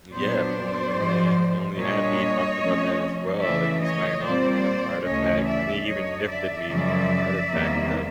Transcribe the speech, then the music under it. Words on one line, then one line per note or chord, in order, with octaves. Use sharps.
Mm, yep. Only only only have he talked about that as well, and he's finding all kind of artifacts. And he even gifted me one artifact of
A#2 F#3 B3 D4 C5 D5
G#2 F3 G#3
A#2 G3 A#3 D4 C#5 D#5
C3 F3 A3 C#4
C#3 E3 A3 D5 E5
C#5 D#5
A#2 G3 C4 C5 D5
D2 C#3 E3 A3 C#4 C#5 D#5
D5 E5
F#2 D3 F#3 C#5 D#5
D5 E5
F#2 C#3 F3 G#3
E2 C3 D#3 G3 A#3